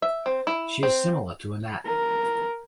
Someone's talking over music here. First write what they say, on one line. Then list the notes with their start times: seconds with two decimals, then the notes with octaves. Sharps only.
She is similar to Anat.
0.02 E5
0.26 C4
0.47 E4
0.83 C4
1.85 A#4